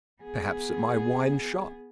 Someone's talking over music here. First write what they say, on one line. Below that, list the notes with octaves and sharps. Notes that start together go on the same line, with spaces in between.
"Perhaps at my wine-shop?"
B3 G#4